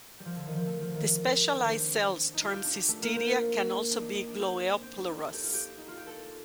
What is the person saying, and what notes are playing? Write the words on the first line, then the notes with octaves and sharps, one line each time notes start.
The specialized cells termed cystidia can also be gloeoplerous.
G3
F3
D3
D#3
F3
A3
F3
D#3
D4
C4
D4
D#4
F4
G4
D4
D4
A3
A#3
C4
D4
D#4
D#4
D4
C4
C4
D4
D#4
A4
G4
F4
G4
D#4
F4
G4
A4